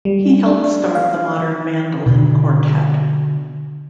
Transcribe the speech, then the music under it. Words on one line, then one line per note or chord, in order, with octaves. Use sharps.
He helped start the Modern Mandolin Quartet.
G3
D4
F5
B2 D3